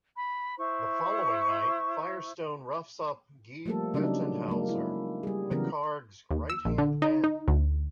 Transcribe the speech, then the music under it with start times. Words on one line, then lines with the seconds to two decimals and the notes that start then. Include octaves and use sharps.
The following night, Firestone roughs up Guy Bettenhauser, McCarg's right-hand man.
0.15 B5
0.58 E4 C5 C#6
3.66 F3 G3 A3 A#3 A4
3.94 C#3 F#3 G3 D4 D#4
4.48 F#3 G#3 A#3
4.69 E4
5.23 G3 G#4
5.51 C#3 E3 F#3 B3 A#4
6.31 D#2
6.50 E6
6.65 A#1
6.78 D3
7.02 D#4
7.24 D#4
7.48 D2